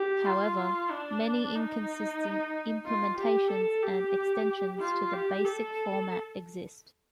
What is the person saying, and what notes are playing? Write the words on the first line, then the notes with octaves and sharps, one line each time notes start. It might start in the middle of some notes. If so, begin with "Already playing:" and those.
However, many inconsistent implementations and extensions to the basic format exist.
Already playing: G4
F4
D4
D#4
F4
G4
A4
G4
F4
G4
A4